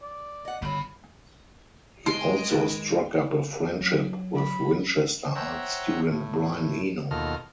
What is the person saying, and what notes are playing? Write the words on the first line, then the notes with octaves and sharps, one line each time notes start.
He also struck up a friendship with Winchester art student Brian Eno.
D5
D#5 F#5
G1 C#3 F#3 G#3 B5
G#3 G#4 D#5 C6 D7
D#3 B4
F#3
B5
C5 C#5 E5 F#5 G5 A#5
A2
D#2 B2 F4 A4 D#5 F6